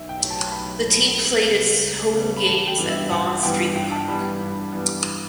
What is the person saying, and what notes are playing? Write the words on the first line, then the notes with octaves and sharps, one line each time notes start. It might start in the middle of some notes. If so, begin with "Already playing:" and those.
The team played its home games at Vaughn Street Park.
Already playing: B1 E5
G5
A2 F#3
A5
B1 B5
A2 F#3
C#2
C#3 G3 B3
C#2
C#3 G3 B3
B5
A1 A5
G5
G2 E3 G3 B3
E5
A1 F#5
G2 E3 G3 B3 G5
G2 G5
A5
E3 G3 B3 B5
G2
E3 G3 B3